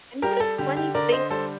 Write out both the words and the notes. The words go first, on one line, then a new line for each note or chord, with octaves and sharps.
And, and what a funny thing to
G3 G4 A#4
A4
D3 G4
G4
D3 A#4 D5
C5 D#5
G3 A4 C5